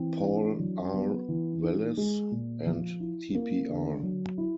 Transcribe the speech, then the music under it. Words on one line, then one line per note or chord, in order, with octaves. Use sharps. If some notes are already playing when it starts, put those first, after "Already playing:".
Paul R. Wallace and Tpr.
Already playing: E3 C4
D4
F#3
B3
E3
D#4
G#3
A#2
F3
E4
A#3
D3
F#3
E4